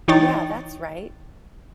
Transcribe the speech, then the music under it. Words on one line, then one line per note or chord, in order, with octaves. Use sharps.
Yeah, that's right!.
E3 D#4 C#5 G5 A6